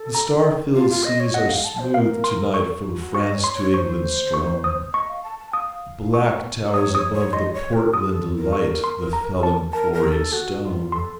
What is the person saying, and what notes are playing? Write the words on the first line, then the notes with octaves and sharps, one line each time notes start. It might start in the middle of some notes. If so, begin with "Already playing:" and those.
The star-filled seas are smooth to-night From France to England strown; Black towers above the Portland light The felon-quarried stone.
Already playing: A4
A#5
F4
F4
D#5
C#5
D#5 F#5
F5
A5
C5
A#4 F5
C6
A4 C#6
F4
F#4
D#5 C#6
C#5
C6
C#5
C5 C#6
C#6
D#6
D#5 C#6
F5
A5
A5
F5 D#6
C#6
C#5 D#6
C#5 D#6
C#5
D#5 C6
C#5
A#4
F4 D#6
A4
A#4
C#6
C6
A#5
A5
A#4 A5
A#4
A4
F#4
F4
A4 C6